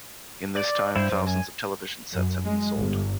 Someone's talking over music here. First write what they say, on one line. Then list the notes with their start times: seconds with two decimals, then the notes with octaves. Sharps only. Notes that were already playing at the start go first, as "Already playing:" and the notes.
In this time thousands of television sets had been sold.
0.55 D5
0.96 G2 E4 C5
1.12 F#2
1.27 G#5
2.12 F#2
2.44 G#3
2.76 G1